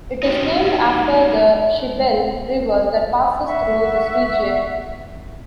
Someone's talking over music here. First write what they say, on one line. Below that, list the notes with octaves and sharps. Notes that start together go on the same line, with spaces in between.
It is named after the Shebelle River that passes through this region.
D#4 F#4 G4
E5 F#5 C#6